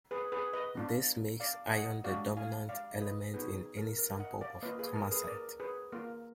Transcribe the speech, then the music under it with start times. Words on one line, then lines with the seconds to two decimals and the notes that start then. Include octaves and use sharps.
This makes iron the dominant element in any sample of kamacite.
0.11 G#4 B4
0.32 G#4 B4
0.53 B4 D#5
0.75 B3 D4 F4
1.40 D5 F5
1.66 G#5
1.72 D#5 F#5
2.04 G#3 D4 F#4 D5 F5
2.37 F5 G#5
2.69 D5 F5
3.01 B4 D#5
3.34 B3 D#4 F#4 G#4 B4
3.56 G#4
3.77 A#4
3.98 A#4
4.20 D#5 F#5
4.41 D5 F5
4.63 A#3 F4 B4 D#5
4.79 G#4 B4
4.95 A#4
5.11 G#4 B4
5.27 A#4 D5
5.60 G#4 B4
5.92 A#3 F4 A#4